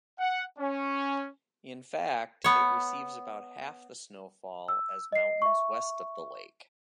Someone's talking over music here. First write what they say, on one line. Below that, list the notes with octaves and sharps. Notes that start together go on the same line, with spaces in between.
In fact, it receives about half the snowfall as mountains west of the lake.
F#5
C#4
B3 C#5
E6
D#5 C7
E5 C#6